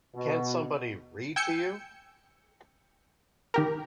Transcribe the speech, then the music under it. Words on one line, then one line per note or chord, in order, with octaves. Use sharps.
Can't somebody read to you?
B2
G5 G#5 E6 G6 C#7
D#3 G4 A#4